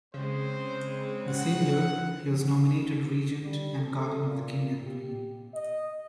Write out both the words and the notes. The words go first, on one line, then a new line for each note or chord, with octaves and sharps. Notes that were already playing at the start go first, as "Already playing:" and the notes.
The same year he was nominated Regent and Guardian of the King and Queen.
C#3 G#3 C4 C5
F#5
G3
A4
A#2
G4
D#5